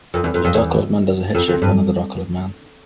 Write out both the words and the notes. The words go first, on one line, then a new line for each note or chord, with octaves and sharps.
A dark colored man does a head shave for another dark colored man.
F2
E2
F2
F2
E2
F2
F2
G2